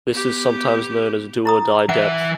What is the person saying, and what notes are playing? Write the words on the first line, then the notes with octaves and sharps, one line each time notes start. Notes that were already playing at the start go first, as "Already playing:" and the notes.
This is sometimes known as "do or die" depth.
B3 G4
E4 A#5 D#6
E3 E5 F#5